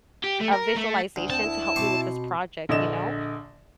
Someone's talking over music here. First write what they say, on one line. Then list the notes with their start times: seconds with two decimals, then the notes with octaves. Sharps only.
a visualization to help me with this project, you know,
0.24 G4
0.41 A3
0.53 A#4
0.76 A3
1.16 D2
1.30 C4 A5
1.43 E4
1.76 B2 C4 C#6 D6
2.69 A#1 D3 D#5 E7